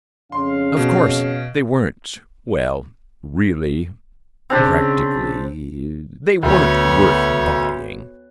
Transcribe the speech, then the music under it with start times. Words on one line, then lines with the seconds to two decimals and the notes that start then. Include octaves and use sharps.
Of course, they weren't, well ... really ... practically ... they weren't worth buying....
0.32 F2 C#3 C#4 F5 C6
0.77 B2
4.50 C#3 C4 D4 G4
6.43 D2 B3 C#5